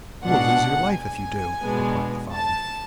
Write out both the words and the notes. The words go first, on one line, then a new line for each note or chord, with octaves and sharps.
'You will lose your life if you do,' replied the father.
B2 G#3 D4 F#5
G#5
B2 G#3 B3 D4
A5